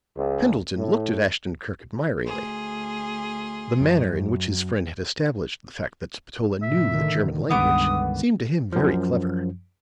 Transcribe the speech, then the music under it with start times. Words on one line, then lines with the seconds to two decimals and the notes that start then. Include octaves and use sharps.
Pendleton looked at Ashton-Kirk admiringly; the manner in which his friend had established the fact that Spatola knew the German language seemed to him very clever.
0.16 C#2
0.76 A2
2.26 D2 G#4 C6
3.81 F#2
6.62 A2 C3 E5
6.94 D3 D#3
7.50 C#2 G2 B3 D6 D#6
8.73 F#2 F3